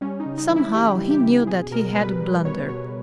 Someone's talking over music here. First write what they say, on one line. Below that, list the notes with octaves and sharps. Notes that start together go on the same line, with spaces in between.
Somehow he knew that he had blundered.
G3 C#4
D#4
C#3
D#4
E3
E4
C#3 G4
G3
G4
C#3
B2 G#4
B2 A#4
G3 B4
G3
B2 C#5
B2 C#5